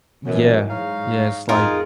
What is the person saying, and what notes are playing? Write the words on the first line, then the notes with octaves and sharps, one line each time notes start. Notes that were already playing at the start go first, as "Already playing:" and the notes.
Yeah, yeah, it's like
F#2 B2 E3 F#3
G#2 G#3 D#4 C#5 F5
F2 A2 D#4 F4 G#4 A#4